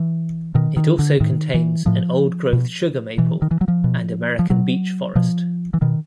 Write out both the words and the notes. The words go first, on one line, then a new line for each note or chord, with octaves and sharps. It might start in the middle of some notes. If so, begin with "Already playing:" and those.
It also contains a old growth Sugar Maple and American Beech forest.
Already playing: E3
B2 D#3
D#3
D3
A2 D#3
E3
A2 F3
B2
B2 E3
D#3
E3
F#3
F3
B2
F3
B2 F#3
B2 F3
E3
B2 D#3